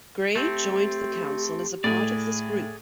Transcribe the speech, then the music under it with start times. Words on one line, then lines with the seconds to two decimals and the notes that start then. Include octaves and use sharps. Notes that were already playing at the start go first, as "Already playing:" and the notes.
Grey joined the Council as a part of this group.
0.36 A3 C4 G4
1.84 A2 G#4 D5